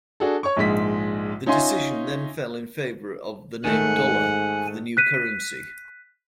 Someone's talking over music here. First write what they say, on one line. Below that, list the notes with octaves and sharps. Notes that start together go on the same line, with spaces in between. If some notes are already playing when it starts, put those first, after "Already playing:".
The decision then fell in favour of the name 'dollar' for the new currency.
D4 F#4 G#4 A4
C#5 C#6
A#1 G#2 G#3 B6
C#4 D#4 F4 E5 G#5 C6
G#2 D#3 A3 F#5 G#5
F#6 B6 D#7